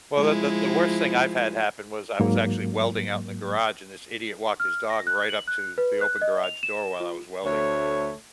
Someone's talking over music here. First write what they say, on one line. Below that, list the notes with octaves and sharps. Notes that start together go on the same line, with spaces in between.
Well, that that the worst thing I've had happen was I was actually welding out in the garage and this idiot walked his dog right up to the open garage door while I was welding,
F3 G#3 E4
G#2 F#3 A#3
F6
A#6
F#6
F#7
F#6
B4
F#6
D#5
F7
E7
F4
D2 A3 C#5